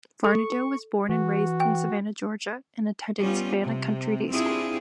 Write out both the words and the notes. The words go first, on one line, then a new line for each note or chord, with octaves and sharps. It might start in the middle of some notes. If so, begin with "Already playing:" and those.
Varnedoe was born and raised in Savannah, Georgia, and attended Savannah Country Day School.
A4 C#6
E3 F#4
G5
G3 B3 C#4 F4
C3
C4 D4 E4 F4 G4 G#4